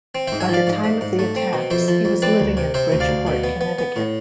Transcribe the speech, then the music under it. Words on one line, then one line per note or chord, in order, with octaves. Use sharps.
By the time of the attacks, he was living in Bridgeport, Connecticut.
C4
G#2 C5 E5
E5 G#5
F3 D5 F5
G#2
G#2
G#2
A3
C4
B2
F2 C5 E5
F3
F2
C4 B4 D5
D2
C3
C3 C5 E5
D2
D5 F5
D2
B2
B3
B3
B3
A2